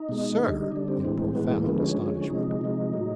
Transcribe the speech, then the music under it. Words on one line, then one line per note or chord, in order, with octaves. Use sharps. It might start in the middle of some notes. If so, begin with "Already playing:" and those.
"Sir!" in profound astonishment.
Already playing: D#4
B2 G#3
D3 G3
D3 G3 D4
C4
A2 E3 G#3
A2 E3 G#3 B3
A#3
D3 F3 G#3 B3
C#4
D3 F3 G#3
C3 F3 G#3 D#4
C3 F3 G#3
A2 F#3